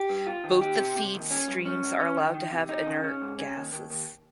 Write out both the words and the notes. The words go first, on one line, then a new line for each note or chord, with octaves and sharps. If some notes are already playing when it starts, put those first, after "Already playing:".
Both the feed streams are allowed to have inert gases.
Already playing: G4
G2
F4
D#3
G4
C3
C3
D#2
C#4
G2
C#4
C#2
C#4
D#3
D#3
C3
D#4
C#3
C#4
G#2
C#4
D#2
D#2
D#2